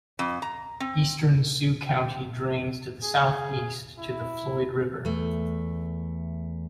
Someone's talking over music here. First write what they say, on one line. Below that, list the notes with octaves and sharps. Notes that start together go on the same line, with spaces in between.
Eastern Sioux County drains to the south east to the Floyd River.
F2
A#5
C4
G5
G#4
E4
E2 A3